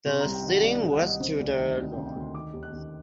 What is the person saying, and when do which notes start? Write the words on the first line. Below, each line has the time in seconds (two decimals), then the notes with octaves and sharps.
The siding was to the north.
0.06 C3 C6
0.19 A#5
0.25 C2
0.34 G5
0.43 D#3 F#5
0.63 C2 D5
0.77 D#5
0.82 C3
0.92 F#5
1.02 C2 D#5
1.20 C3 C5
1.39 D2 D5
1.58 D#3 D#5
1.77 D2 D#5
1.92 C3 G5
2.06 G5
2.16 D2 C6
2.34 D#3 D6
2.53 D#2
2.63 F#6
2.72 D#2